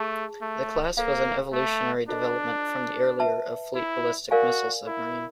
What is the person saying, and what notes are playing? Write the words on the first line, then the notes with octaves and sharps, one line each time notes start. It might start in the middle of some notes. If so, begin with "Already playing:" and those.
The class was an evolutionary development from the earlier of fleet ballistic missile submarine.
Already playing: A3 G#4 A5
A3
A#3 A4 C5 F5
A3
D4 F4 A4 C5 D#5
B4 E5 A5
E4
F#4 A#4 D5 F5 G#5
E4